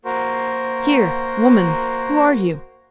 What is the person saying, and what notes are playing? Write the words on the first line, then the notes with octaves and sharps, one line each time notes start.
Here! woman, who are you?
A#3 F#4 A#4 C5